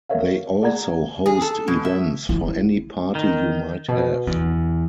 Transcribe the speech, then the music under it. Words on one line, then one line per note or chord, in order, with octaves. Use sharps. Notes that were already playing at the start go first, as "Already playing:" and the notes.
They also host events for any party you might have.
A#4 C#5 E5 F5
G#4 D5 F#5 A#5 G#6
G#4
A4
B2
E5
E4
D#3
B2
E2